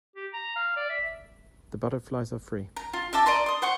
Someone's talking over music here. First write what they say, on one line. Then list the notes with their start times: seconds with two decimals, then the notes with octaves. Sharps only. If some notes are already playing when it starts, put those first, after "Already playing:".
The butterflies are free.
0.16 G4
0.33 A#5
0.56 F5
0.76 D5
0.89 E5
2.76 A#5
2.93 F4
3.13 D#5 E5 A5 D6
3.26 D5 D#5 A#5 C6
3.46 C6 D#6
3.62 C5 F#5 C6 C#6